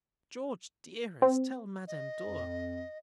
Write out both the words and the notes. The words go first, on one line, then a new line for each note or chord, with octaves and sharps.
George, dearest, tell Madame Dor.
C4
D#5
F2